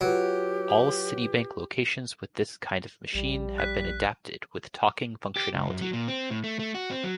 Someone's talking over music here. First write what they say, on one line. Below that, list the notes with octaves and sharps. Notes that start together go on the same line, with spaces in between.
All Citibank locations with this kind of machine have been adapted with talking functionality.
F#3 F4 G4 B4 D7
A#1 G3
F#6 B6
G4
C#2
F#2
F#3
A#2
C4
A2
A3
A3
F#4
C4
F#3